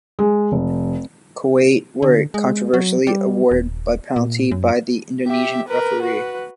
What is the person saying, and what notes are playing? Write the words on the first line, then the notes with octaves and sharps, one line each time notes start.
Kuwait were controversially awarded a penalty by the Indonesian referee.
G#3
F1
D3
G#3
F#3
G3
D#1
A#2
F#2
G4 E5
A#4 B4
F#4 B4